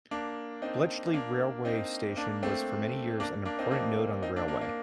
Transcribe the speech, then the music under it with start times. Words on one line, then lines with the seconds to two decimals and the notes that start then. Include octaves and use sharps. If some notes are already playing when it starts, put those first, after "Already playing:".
Bletchley railway station was for many years an important node on the railway.
0.11 A#3 D4
0.62 C4 D#4
1.14 A#3 D4
1.65 C4 D#4
2.17 A#3 D4
2.43 A3 C4
3.20 A#3 D4
3.45 A#3 D4
3.59 C4 D#4
3.71 A#3 D4
4.23 C4 D#4
4.36 A#3 D4
4.48 A#3 D4
4.61 A#3 D4